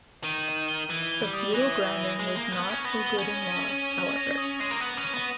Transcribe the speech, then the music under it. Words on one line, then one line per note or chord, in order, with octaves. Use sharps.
The feudal grounding was not so good in law, however.
D#3 D#7
D#7
G7
E3 D#7
G7
G3
D#6
E3 A#6
G7
G7
G#3 D#6
A#3
G7
B3
G7
C#4
B3 A#6
G7
C#4
D#7
D#7
D#7
D#7
A#6
D#6
G#3 A#6
A#3
B3 D#6
C#4
D#7
B3